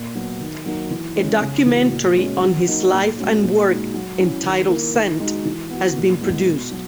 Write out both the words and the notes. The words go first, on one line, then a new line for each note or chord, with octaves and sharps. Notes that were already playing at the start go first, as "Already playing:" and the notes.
A documentary on his life and work entitled "Sent" has been produced.
Already playing: A#2
F#3 B3
D#3
F#3 A#3 D#4
E3
G#3 C#4
C#3
E3 B3 F#4
A#2
G#3 C#4 F#4
F#3
A#3 D#4
A#2
G#3 C#4 F#4
A#2
G#3 D#4 F#4
F#3
C#4 E4
D#3
A#3 E4
D#3
G#3 D#4 F#4
E3
B3 F#4
A#2
G#3 B3 E4
B2
F#3